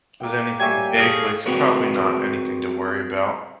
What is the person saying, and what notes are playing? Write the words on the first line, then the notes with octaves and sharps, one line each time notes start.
Was anything big like, probably not anything to worry about.
A#3 G5
G3 G4 C#5 E5 G5 G#5 G#6
G#4 A4 F5
C4 F#4 G#4 A#4 B4 C#5